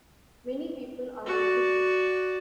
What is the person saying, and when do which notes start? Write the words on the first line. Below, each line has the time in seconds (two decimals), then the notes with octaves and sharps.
Many people are in Fiji.
1.26 F#4 D5